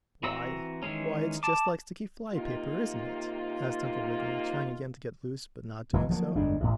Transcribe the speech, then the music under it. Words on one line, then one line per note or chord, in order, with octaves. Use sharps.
"Why--why, it's just like sticky flypaper, isn't it?" asked Uncle Wiggily, trying again to get loose, but not doing so.
E3 C4 F#4 A#5 E6
D#3 E3 G#3 C#4
A5 D6
C3 A#3 D#4 F4
F#1 E3 G#3
F3 F#3 A#3
G1 F2 G#3 D4
A1 A2